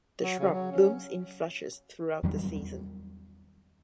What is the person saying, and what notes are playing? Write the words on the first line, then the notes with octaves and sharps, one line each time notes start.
The shrub blooms in flushes throughout the season.
F#3
C#3
F#3
C#4
E2 D#3 F#3 G3